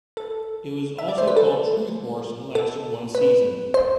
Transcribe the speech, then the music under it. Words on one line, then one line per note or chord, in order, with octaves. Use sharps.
It was also called "Truthhorse" and lasted one season.
A4
E5
D5
C5
B4
A4
A4
B4
C5